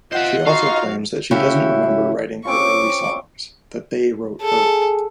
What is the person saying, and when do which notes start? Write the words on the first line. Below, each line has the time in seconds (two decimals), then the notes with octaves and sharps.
She also claims that she doesn't remember writing her early songs-that they wrote her.
0.12 F4 C5 D#5 E5 F#5
0.46 D#4 F4 F#4 F5 C#6
1.31 C#3 A3 C#4 E4 F#4 G4
2.45 C4 C#4 F4 C#6 D6
4.42 G#4 A4